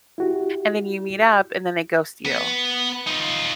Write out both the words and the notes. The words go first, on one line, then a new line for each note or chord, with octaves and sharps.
and then you meet up, and then they ghost you,
E4 F#4 G4
B3 B4
D#4 F4